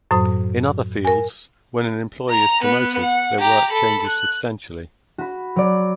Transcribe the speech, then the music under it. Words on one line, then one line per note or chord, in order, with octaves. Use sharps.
In other fields, when an employee is promoted, their work changes substantially.
F#2 A2 F#3 C5 D#6
A#4 G#5
A#5 F7
B3 F#6
F#5
G4 A#5
A4 B5
F#6
F#4 B5
F#3 D5